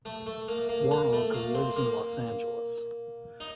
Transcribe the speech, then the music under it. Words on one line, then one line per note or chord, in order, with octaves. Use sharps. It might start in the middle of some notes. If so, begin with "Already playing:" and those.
Waronker lives in Los Angeles.
A3
A3
A#3
A#3
A#3
A3
A#3
C4
A#3
D#4